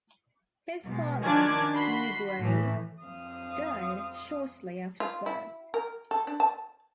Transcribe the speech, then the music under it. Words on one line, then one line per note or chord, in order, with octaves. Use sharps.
His father, Hugh Gray, died shortly after his birth.
B2 G#3
D#3 F3 C#4 D4 D5 G#6
F#4 B5 C6 C7
A2 E3
F2 C4 F5 D#6
F4
E4
A#4
A4
D4
A5